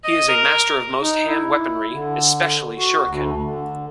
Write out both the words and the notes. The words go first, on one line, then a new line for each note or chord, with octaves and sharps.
He is a master of most hand weaponry, especially shuriken.
D#5
A#4
D#4
E4
D3
F#4
D2
D3